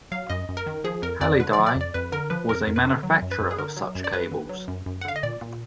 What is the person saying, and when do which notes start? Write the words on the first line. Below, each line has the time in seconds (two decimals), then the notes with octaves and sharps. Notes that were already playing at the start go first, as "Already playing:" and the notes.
Hallidie was a manufacturer of such cables.
0.12 F#3 F5
0.30 F#2 D#5
0.49 F#2
0.57 A#4
0.67 D#3
0.84 F3 G#4
1.02 F2 A#4
1.21 F2 D5
1.40 D3 B4
1.53 D5
1.58 F3
1.67 D5
1.76 F2
1.81 D5
1.94 F2 B4
2.12 D3 A#4
2.30 F3 B4
2.49 F2 A#4
2.67 F2
2.76 B4
2.85 D3
3.03 F#3
3.22 F#2
3.31 B4
3.40 F#2
3.51 G#4
3.58 D3 A#4
3.77 F#3
3.95 F#2
4.04 D5
4.13 F#2 B4
4.32 D3
4.49 F#3
4.68 F#2
4.86 F#2
5.01 F#5
5.05 D3 F5
5.16 D#5
5.23 A#2 D5
5.41 A#2